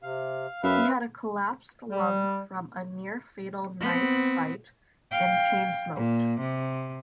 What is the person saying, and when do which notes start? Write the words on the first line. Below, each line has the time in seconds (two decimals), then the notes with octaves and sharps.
He had a collapsed lung from a near-fatal knife fight, and chain-smoked.
0.03 C3 F5
0.63 F#2 B4 E5 F5
1.90 G3
3.80 B3 C4
5.12 F5 G5
5.96 A#2
6.40 C3